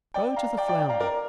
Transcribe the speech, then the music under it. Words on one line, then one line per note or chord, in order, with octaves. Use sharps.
Go to the flounder.
D5 G5
F5 A#5
D5 G5
D5 G5
D5 G5
F5 A#5
A#4 D5